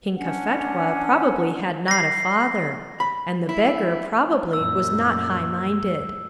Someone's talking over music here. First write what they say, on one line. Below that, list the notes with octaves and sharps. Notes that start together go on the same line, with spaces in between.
King Cophetua probably had not a father; and the beggar, probably, was not high-minded.
C#4 D4 F#5
A#6 C7
B5
E4
F#2 A#2 E6